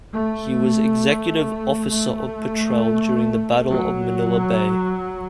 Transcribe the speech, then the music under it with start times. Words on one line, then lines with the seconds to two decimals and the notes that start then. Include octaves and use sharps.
He was Executive Officer of "Petrel" during the Battle of Manila Bay.
0.14 A3
1.92 A3
3.70 F#3